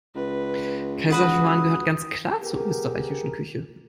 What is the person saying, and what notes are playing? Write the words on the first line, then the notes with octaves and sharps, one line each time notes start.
Kaiserschmarrn gehört ganz klar zur österreichischen Küche.
C#2 B4
F#4 B4 F#5 D#6
B3 G4 G#4 A#4